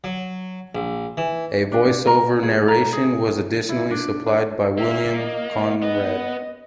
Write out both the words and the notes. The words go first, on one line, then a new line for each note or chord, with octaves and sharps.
A voiceover narration was additionally supplied by William Conrad.
F#3
A#1
E3
D4
A#4
G#4
A#5
G#4
E4
D4
D4
A#3 E5
D#5
B3 B4 D#5